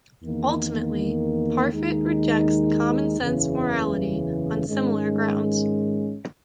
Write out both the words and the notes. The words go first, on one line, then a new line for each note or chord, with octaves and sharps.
Ultimately, Parfit rejects "common sense morality" on similar grounds.
E2 D#3 A#3
D#2 D#3 G#3 D#4
F#1 E2 C#3 E3
G#2 D#3 G#3 C#4